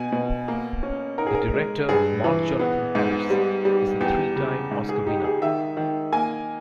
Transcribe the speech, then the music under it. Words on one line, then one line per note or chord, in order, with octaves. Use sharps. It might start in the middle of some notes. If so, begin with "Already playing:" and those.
The director, Mark Jonathan Harris, is a three-time Oscar winner.
Already playing: B2 G#5
B2
A#3
C#4
D#4 A#4
G#4
A#4
G#3
G2 G#4
E3
B3
G#2
G3
G3
E2 G4
C#3
G#2
G#4
D#4 G4
G4
G#4
D#3 E5
D#3
A#3 G#5